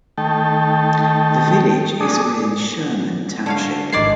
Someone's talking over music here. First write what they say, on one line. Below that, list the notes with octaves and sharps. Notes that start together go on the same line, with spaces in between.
The village is within Sherman Township.
D#3 A3 G5 A5
A3 D4 G#4 D#6
D3 C#4 F5
G#1 D#3 G#3 D5 D6 C7